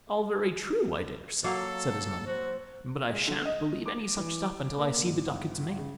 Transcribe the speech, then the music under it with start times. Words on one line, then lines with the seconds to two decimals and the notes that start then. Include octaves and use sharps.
'All very true, I daresay', said his mother; 'but I shan't believe any such stuff until I see the ducats made.'
1.44 F#3 A#3 A4 F5
2.27 F#4 C5
3.11 G#3
3.28 D3
3.45 D#5
3.86 D6
4.17 E3
4.43 D6
4.78 A#3
5.06 G#2
5.27 G1
5.77 C#3